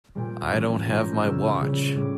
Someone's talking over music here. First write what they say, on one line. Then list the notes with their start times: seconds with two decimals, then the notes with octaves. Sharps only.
I don't have my watch.
0.15 A#2 G3 A#3 G5
0.52 E3 G3 C#4
0.88 A#2 G3 C#4 A#5
1.00 G6
1.12 F6
1.23 C#3 G3 A#3 C#4 E6
1.60 C#3 G3 C#4
1.95 A2 G3 C#4 D6